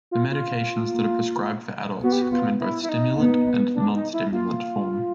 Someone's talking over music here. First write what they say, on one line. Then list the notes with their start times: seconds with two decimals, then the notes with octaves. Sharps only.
The medications that are prescribed for adults come in both stimulant and non-stimulant form.
0.11 F4
0.31 F4
0.88 A#3
2.02 B3 F#4
2.12 G4
2.22 F#4
2.31 F4
2.60 E4
2.83 E4
2.89 D#4
3.18 B3
3.75 D4
3.95 D#4
4.13 E4
4.32 A#3 F4